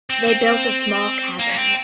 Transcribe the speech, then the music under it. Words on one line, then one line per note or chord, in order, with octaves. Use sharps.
They built a small cabin.
C4
C4
A#3
C#4
C4